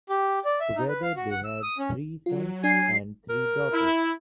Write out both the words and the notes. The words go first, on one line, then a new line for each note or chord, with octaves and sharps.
Together they had three sons and three daughters.
G4
D5
E5
D#4
B4
F5
F#4
F#5
E6
D#6
C#4
F#3 F4
D4 G#5 C7
A#4
E4